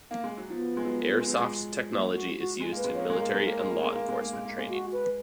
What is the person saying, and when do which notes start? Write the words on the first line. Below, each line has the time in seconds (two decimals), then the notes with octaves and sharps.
Airsoft technology is used in military and law enforcement training.
0.11 A#3
0.24 G#3
0.37 F#3
0.50 F3 B3
0.77 G#3
0.85 F#3
1.20 G#3
1.29 F#3
1.38 G#3
1.90 A#3
2.13 F#4
2.37 F#4
2.60 G#3
2.72 A#3
2.77 B4
2.84 G#3
2.95 A#3 C#5
3.10 G#3 A#4
3.22 A#3
3.34 G#3
3.47 A#3
3.59 G#3
3.71 A#3
3.83 G#3
3.96 A#3
4.08 G#3
4.21 A#3
4.33 G#3
4.45 A#3
4.58 G#3
4.70 F#4
4.93 B4